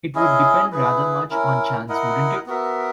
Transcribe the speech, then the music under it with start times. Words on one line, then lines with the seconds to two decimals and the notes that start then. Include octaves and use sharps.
It would depend rather much on chance, wouldn't it?
0.15 C#4 E4 G#4 D#5
0.72 E4 G#4 B4
1.30 C#4 E4 A#4
1.89 E4 A#4 D#5 F#5
2.46 B3 F#4 A#4 E5